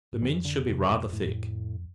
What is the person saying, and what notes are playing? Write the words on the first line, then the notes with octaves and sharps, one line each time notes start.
The mince should be rather thick.
G#2
F2 E3
D3
C3
B2
A2